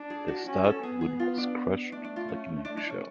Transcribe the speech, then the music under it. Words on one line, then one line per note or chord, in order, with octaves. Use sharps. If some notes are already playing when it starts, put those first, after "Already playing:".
The stout wood was crushed like an eggshell.
Already playing: D4
G#4
F#4
C#4 F#4
A4
B3 G#4
G#4
F4
D4
A3 D4
D4
F4
C#4
D4
D4
C#4